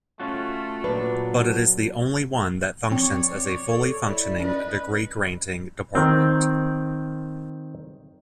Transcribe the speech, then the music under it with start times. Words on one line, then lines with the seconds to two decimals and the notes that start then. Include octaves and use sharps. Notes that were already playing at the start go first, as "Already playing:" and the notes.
But it is the only one that functions as a fully functioning, degree-granting department.
0.20 A3 C#4 F4 F#4
0.84 A#2 F#3 D4 B4
2.91 F3 C4 C#5 D5
3.67 A4
4.03 E4 D5
4.40 C#4 B4 D#5
5.95 D#3 C4